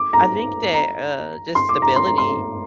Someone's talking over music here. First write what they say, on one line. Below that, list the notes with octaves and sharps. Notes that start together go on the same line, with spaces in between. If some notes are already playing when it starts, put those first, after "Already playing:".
I think that, uh, just stability,
Already playing: D6
A#5
A#5
C6
D6
A#5
C6
A#5
C6